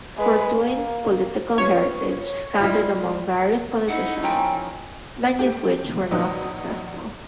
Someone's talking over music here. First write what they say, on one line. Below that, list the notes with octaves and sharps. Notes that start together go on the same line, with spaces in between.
Fortuyn's political heritage scattered among various politicians, many of which were not successful.
G#3 B4
A#3
B3 C#4 F4 C#5
G3 G#3 E4 F4
D#4 E4 F#5
F3 C#4 A#4 G5
A3 G4
A#1 F#3 D#4 B4